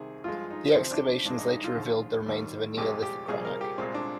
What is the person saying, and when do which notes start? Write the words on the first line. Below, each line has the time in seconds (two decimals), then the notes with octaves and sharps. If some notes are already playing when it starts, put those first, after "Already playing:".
The excavations later revealed the remains of a Neolithic crannog.
Already playing: C2 C3 D#3 G#4
0.24 G2 F3 G#3 F4
0.51 D#4
0.75 D2 C3 F3 C4
0.93 D4
1.25 G2 D#3 G#3 D4
1.39 D#4
1.51 D#4
1.64 F4
1.76 D#2 D3 F3 G#3
2.26 D#2 D#3 G3
2.77 C2 A#2 F3 G#3 G4
3.03 G4
3.28 C2 A#2 G3 G#4
3.45 A#4
3.61 G4
3.78 C2 A#2 G#3 C4
3.94 D4